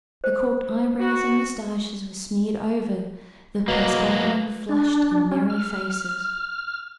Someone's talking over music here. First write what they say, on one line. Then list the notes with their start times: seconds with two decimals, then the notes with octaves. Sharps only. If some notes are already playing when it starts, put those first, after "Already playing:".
The corked eyebrows and mustaches were smeared over the perspiring, flushed, and merry faces.
0.24 C5
1.00 F#4
3.68 B2 F#3 A#3
4.69 D4
5.32 C#4
5.50 F6